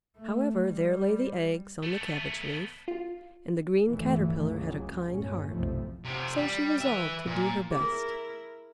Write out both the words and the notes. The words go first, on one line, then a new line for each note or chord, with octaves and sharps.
However, there lay the eggs on the cabbage-leaf; and the green Caterpillar had a kind heart, so she resolved to do her best.
A3
G3
A3 B3
F4
G1 D2 A2 E3 A3
C#2 C#3 F#3
G1 A#2 C#4
F1 B1 F2 A2 F3 A3
C3 F3
G3
B4 E5
A#2
E4 G#4 A#4